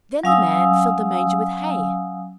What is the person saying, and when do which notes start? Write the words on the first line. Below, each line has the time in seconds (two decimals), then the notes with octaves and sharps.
Then the man filled the manger with hay.
0.23 F#3 C#4 F5 G#5 D#6 E6